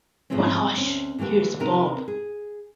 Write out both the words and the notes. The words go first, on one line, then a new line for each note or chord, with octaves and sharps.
But, hush, here’s Bob.
G#2 C#3 F3 A3 C4 C#4
D2 C4 C#4
D3 E3 A3 A#3 G4
D#2 C3 B3 D#4 A#4
G#4